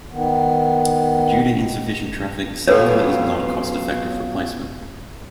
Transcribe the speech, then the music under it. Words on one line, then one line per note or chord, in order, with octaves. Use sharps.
Due to insufficient traffic, cellular is not a cost-effective replacement.
D#3 B3
F#3 B3 F4 A4 B4 C#5